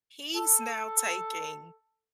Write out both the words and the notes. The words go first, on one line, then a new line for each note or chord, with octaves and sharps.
He's now taking
A4